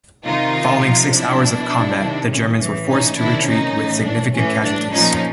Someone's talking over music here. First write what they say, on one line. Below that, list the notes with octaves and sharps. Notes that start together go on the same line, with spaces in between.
Following six hours of combat, the Germans were forced to retreat with significant casualties.
C3 D#3 D#4 F4
C3 F3
D4 E4
B2
C3 D#3
C#4
A2 E3
C#4 D#4
C3 D#3 D4 E4
C#4 D#4
A2 E3
D4
A2 E3 C#4
D4
A#2 F3 C#4 D#4